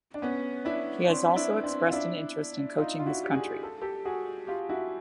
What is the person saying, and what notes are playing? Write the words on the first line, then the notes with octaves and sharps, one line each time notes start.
He has also expressed an interest in coaching his country.
D4
B3 C#4
D4 E4
C4 D4
D4 E4
C4 D4
F4
D4 E4
D#4 F4
F4
E4 F#4
G4
F#4 G#4
A4
G4 A4
F#4 G#4
F4 G4
E4 F#4